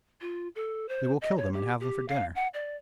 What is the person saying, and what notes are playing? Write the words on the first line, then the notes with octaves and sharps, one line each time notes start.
We will kill them and have them for dinner.'
F4
A4
C5
D#5
C#5
G4
G4
F5
F#5
D5